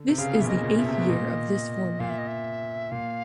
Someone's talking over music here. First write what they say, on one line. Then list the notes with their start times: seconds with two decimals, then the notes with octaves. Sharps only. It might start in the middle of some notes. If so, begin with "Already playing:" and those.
This is the eighth year of this format.
Already playing: D3
0.08 C3
0.18 C#3 F5
0.34 B2
0.41 A#2 E5
0.48 D#5
0.63 A#2
0.78 B2 E5
0.86 C3
0.99 B2
1.09 A#2 D#5
2.00 A#2 F5
2.10 E5
2.18 D#5
2.28 E5
2.91 A#2 F5